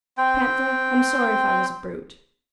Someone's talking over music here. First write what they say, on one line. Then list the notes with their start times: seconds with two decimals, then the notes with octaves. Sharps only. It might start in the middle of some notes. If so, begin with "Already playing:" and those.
'Panther, I'm sorry if I was a brute.'
0.18 C4 G5